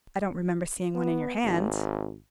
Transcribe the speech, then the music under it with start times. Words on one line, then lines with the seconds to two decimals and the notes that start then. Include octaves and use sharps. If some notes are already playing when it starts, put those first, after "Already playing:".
"I don't remember seeing one in your hand."
0.95 B3
1.44 G#1